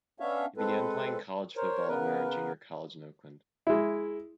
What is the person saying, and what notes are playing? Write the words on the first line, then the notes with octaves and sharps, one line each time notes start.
He began playing college football at Merritt Junior College in Oakland.
B3 C#4 D4 C#5 E5 F5
G#3 C4 A4 B4
A#4 C5 C#5
C#3 B3 A#4 B4
G#3 E4